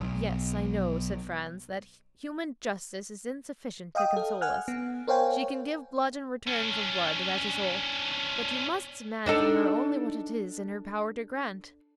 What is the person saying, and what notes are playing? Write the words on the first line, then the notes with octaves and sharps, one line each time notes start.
"Yes, I know," said Franz, "that human justice is insufficient to console us; she can give blood in return for blood, that is all; but you must demand from her only what it is in her power to grant."
B1
D#5 F5 G5 D#6
A4
F#5 G#5 F6 F#6
B3
A#4 C5 C#5 F5 G5 G#5
C#4 D4
D4 D#4 A4